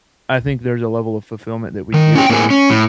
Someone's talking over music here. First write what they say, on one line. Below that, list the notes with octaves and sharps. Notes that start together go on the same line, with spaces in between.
I think there's a level of fulfillment that we get
D#3
C#4 G5
A2 A#3 C4 D4 G#4
C#4
A2